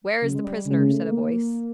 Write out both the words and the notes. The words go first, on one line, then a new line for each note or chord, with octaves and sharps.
"Where is the prisoner?" said a voice.
C#3 F#3
G#3
G3
C#3 G#3
A3
A3
A#3